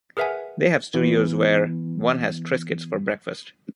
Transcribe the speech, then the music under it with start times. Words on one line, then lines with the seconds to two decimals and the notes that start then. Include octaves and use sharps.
They have studios where one has Triscuits for breakfast.
0.17 G#4 A#4 B4 E5 F#5 G#5
0.94 E3 B3